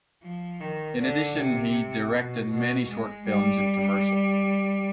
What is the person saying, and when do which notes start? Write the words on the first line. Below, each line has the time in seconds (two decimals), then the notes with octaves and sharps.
In addition he directed many short films and commercials.
0.23 F3
0.60 D#3
0.99 D3
1.37 C3
2.13 B2
2.50 B2
2.88 G#3
3.27 G3